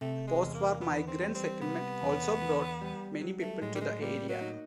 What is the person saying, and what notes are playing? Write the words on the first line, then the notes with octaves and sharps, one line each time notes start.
Post-war migrant settlement also brought many people to the area.
C3 A3
G#3
E2
A#3
E3 B3
C4
G3
C4
C3 B3
E2
E3
G3
F#3
A3
A2 G#3
G3
G#3
G3 A#3
F#3
D#4